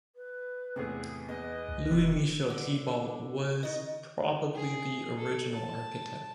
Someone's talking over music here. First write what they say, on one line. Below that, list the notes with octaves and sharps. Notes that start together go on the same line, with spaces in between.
Louis Michel Thibault was probably the original architect.
B4
E2 A2 C3 G#4
E2 B4 D#5
C#2
F1 C3
D3
D#3 D#5
G#4
A4
A5